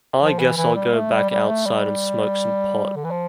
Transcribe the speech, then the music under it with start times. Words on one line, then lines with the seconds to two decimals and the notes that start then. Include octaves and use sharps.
I guess I'll go back outside and smoke some pot.
0.21 F3
0.39 E3
0.57 E3
0.75 G3
0.94 A3
1.13 G3
1.30 G3
1.49 A3
1.66 G3
2.96 D3
3.04 E3
3.11 F3